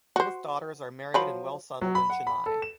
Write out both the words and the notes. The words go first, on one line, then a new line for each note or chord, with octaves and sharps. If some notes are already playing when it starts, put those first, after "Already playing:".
Both daughters are married and well settled in Chennai.
F#4 C5
F3 F#3 B5
F#3
B5
F#5
B5
A4
E7